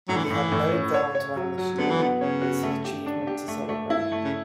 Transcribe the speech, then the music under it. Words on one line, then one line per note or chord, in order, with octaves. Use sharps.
We had no downtime this year. It's an achievement to celebrate.
A2 F#3
E3
D3
A2 E3
A2
C#4
C#5
C#5
F#3
F#3
D3 B3
E3
D3 B3
C#3 C#5
F#4
A3
G4
D4
G4
A3
A3
E4
A3
C#3